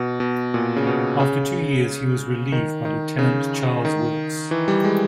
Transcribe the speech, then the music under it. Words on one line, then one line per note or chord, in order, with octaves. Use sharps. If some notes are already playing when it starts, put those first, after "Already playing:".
After two years he was relieved by Lieutenant Charles Wilkes.
Already playing: B2
B2
A#2
C#3
B2
C#3
D#3
D#3
C#3
D#3
E3
G3
G#3